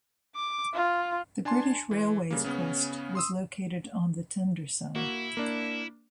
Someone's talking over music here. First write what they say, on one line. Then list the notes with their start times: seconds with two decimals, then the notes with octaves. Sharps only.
The British Railways crest was located on the tender side.
0.36 D6
0.73 F4
1.45 D4 G#5 A5 C6
1.91 E3
2.31 C#3 G3 A#3
2.44 C#3 B3 C#4
3.15 C6 D#6 E6
4.95 A#3 E4 F#4
5.37 A#3 D4